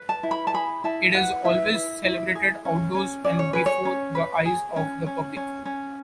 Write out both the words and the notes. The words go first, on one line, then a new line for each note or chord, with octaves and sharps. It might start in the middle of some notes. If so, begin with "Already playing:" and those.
It is always celebrated outdoors and before the eyes of the public.
Already playing: B4
A5
E4
B5
A5
G#4 B5
E4 A5
B4 F#5
E4 E5
E4
E4
G#4
C#4
C#4
C#4 D5
C#5
G#4 B4
C#5
C#4
B4
G#4
C#4
C#4
C#4
C#4